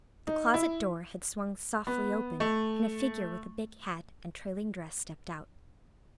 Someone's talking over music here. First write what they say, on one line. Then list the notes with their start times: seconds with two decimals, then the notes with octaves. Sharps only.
The closet door had swung softly open, and a figure with a big hat and trailing dress stepped out.
0.27 D#4
0.54 E4
1.87 B3
2.40 A3